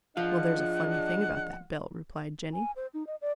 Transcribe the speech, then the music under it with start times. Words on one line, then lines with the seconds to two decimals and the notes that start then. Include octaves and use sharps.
"Well, there's a funny thing about that bill," replied Jenny.
0.17 F3 D4 F4 G#4 D#5 F#5
2.54 G#5
2.76 C5
2.94 D#4
3.07 D#5
3.21 D5